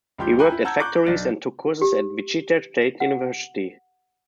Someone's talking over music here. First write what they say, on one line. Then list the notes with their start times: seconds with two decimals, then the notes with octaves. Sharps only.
He worked at factories and took courses at Wichita State University.
0.18 C#2 F3 G4 C6 G6
0.39 G5 G#5 A#5 B5 F#6 G6
0.52 E4
0.64 F#5 A5 A#5 E6 G6 G#6
0.78 A#5 C#6 D6 F#6 G6
1.07 B1 D4 A6
1.82 G4
3.00 F#5